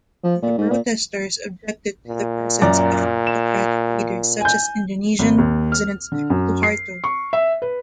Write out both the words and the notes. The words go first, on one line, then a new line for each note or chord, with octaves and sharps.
The protesters objected to the presence of autocratic leaders such as Indonesian president Suharto.
F3
A#2
G#2
A#2
A#2
F#2 D5 A#5
E7
G#5 G6
G#1
D#2
F6
D3
F#2
C7
C#6
E5
B4